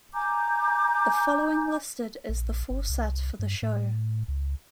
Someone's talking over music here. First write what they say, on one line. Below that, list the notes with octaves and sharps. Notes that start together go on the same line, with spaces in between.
The following listed is the full set for the show.
G#5 A#5 D6 G6
A#1
G1
C2
G2
A2
C#2